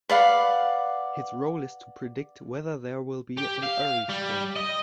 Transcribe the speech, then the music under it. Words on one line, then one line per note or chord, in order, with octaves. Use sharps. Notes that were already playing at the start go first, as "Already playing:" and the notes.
His role is to predict whether there will be an early spring.
B4 D5 F5 F#5
G4
F5
G3
D#5